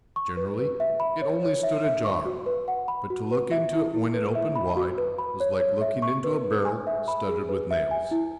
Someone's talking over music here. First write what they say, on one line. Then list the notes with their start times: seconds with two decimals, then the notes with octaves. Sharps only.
Generally, it only stood ajar; but to look into it when it opened wide was like looking into a barrel studded with nails.
0.16 C#6
0.37 B4
0.59 B4
0.80 E5
1.00 B5
1.22 C#5
1.43 C#5
1.63 E5
1.84 E5
2.05 C#6
2.25 F#4
2.46 B4
2.68 F#5
2.88 B5
3.10 F#4
3.31 B4
3.51 E5
3.73 E4
3.94 E4
4.14 B4
4.35 E5
4.56 B5
4.76 F#4
4.98 B4
5.19 B5
5.40 C#5
5.60 C#5
5.81 E5
6.02 C#6
6.24 B4
6.44 B4
6.65 G#5
6.87 E5
7.08 B5
7.28 G#4
7.49 B4
7.71 E5
7.91 G#5
8.11 E4